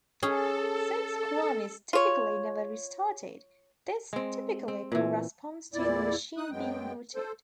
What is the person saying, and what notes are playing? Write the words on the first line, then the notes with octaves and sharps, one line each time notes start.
Since cron is typically never restarted, this typically corresponds to the machine being booted.
C#4 G#4 A4
F4 C#5
G#3 C4
C4
A#2 E3
E2 A#2 E4 D5
D#4 D#6 F#6
F#2 F#3 G#3 B3 G5
A4 C5